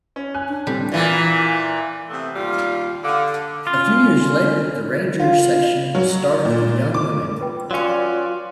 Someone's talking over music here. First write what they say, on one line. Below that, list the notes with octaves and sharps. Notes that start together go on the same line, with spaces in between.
A few years later the Ranger section was started for young women.
C#4
G#5 F#6
D4
A2 G3 C4 A4
A#2 E3
C3 A3 B3
D#2 G3 F4
D3 F5 D6
C#4 F4
F4
F#3
A#2
D6
F4 B4 G5
F#3 C#4 F4 F#4 D5 F5 C6